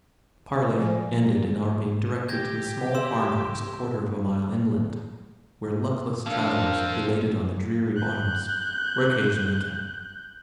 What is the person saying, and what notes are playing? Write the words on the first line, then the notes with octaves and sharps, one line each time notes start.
The parley ended in our being directed to a small farm-house a quarter of a mile inland, where luckless travelers, belated on the dreary bottoms, were occasionally kept.
F3 G#3 F4 C5 G#5
G4 G6 G#6 A#6
C6 E6 E7
F3 C4 D4 A#4 F5
F#6 G6